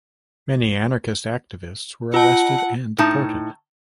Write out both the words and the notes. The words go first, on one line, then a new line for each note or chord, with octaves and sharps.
Many anarchist activists were arrested and deported.
F4 F#5 A5
A2 D#4 A5